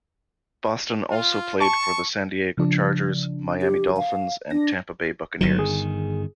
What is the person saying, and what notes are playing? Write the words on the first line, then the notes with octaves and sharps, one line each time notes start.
Boston also played for the San Diego Chargers, Miami Dolphins, and Tampa Bay Buccaneers.
F4
A5 C#6
C#3 F3 D4
G4
F5
D4 A#6
G1 D#3 F#3
G#4